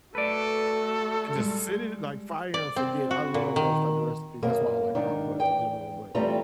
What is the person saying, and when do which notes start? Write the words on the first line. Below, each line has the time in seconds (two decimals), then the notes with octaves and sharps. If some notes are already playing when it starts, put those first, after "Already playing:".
and, just, sit it like, fire and forget. I love those type of recipes. That's why I like crock pots in general, but
0.15 A3 F#4 A4 B4 D5
1.36 G3 G#3
2.54 D5
2.76 C4
3.11 F#4
3.34 A#2
3.56 D#3
4.42 F#2 B2 A#3
4.95 G#2 D#3 D4
5.39 E2 G5
6.15 E2 G3 A3 C4 F4 A#5